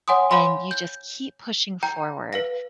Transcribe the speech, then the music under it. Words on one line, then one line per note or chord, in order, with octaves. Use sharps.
and you just keep pushing forward,
C#5 F#5 G#5 C6 D#6
C#5 F5 B5 C6
G6
G5 A#5 G6
B4 F5 A#6